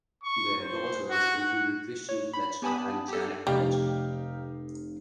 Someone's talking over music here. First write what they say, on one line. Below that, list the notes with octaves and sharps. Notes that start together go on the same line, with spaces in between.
Their daughters included Christian Fletcher and Janet Fletcher.
C#6
C5
F#4
F#5
C#5
B5
B3 G4 G#5 A5 B5 D#6
G4 A4
F1 G3 D#4 G4 F5